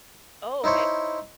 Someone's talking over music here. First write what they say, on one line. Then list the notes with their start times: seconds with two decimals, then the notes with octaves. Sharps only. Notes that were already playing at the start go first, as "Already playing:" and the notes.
Oh, okay.
0.64 D#4 E4 C5 C#5